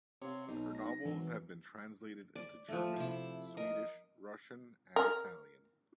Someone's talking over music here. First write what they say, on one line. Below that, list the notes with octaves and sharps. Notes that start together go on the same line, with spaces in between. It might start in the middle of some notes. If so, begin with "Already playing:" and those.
Her novels have been translated into German, Swedish, Russian and Italian.
C3 C#5 F5
B1 B2 D#4
A#6
G#1 E3 F#3
D5
F3 A3
C3 E4
A#4 D#5
A#4